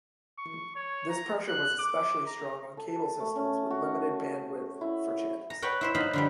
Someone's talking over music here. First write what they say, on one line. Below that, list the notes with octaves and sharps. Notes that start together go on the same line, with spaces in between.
This pressure was especially strong on cable systems with limited bandwidth for channels.
C#6
C#5
A#5
F#6
D6
A#5
A4
A3
C#4
F#4
E4
A#5
B4 C#5 F#5 G5
E4 C5 E5
F#3 D#4 F5 B5
D3 F3 G3